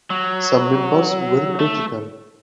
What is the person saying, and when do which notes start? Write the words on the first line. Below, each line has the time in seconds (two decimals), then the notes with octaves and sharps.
Some members were critical.
0.10 F#3
1.59 A3